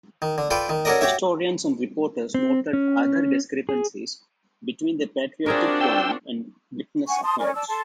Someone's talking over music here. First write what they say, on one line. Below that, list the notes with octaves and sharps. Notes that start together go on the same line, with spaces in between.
Historians and reporters noted other discrepancies between the patriotic poem and witness accounts.
D#3
D3
F4 A4 B4 D5 G5
D#3
C#4 F#4 A4 A#4 D5 D#5
F#4 G4 C#5 E5
C4
C#4
G#4
C4 D4 F4 F#4 G#4 A#4
G5 E6
F#5 G#5 C#6
A5 C6 D#6
C#4 A#4 D5 G#5
D5 A5 E6
A4 A5 C6